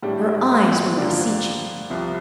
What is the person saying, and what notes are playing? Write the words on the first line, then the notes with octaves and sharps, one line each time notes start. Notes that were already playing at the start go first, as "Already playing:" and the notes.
Her eyes were beseeching.
A2 G3 D4
G2 D3 F3 A#3 D4
C2 C3 F3